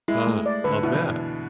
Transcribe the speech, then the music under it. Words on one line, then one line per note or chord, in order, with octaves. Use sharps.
Huh, I'll bet.
G#3 E4
A3
D5
D3 B4
B2 E4
E3